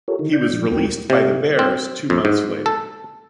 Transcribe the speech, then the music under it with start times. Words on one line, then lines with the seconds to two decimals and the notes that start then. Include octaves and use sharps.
He was released by the Bears two months later.
0.08 F4 G4 A4 A#4 C#5
0.19 D3 D#3 D#4
0.33 D4 D5 G6
0.53 A#2 F3 G#3
0.71 D#2 A3 C4 F#4 A#4 G5
1.10 C3
1.59 C4
2.10 F2
2.25 G#2
2.66 A4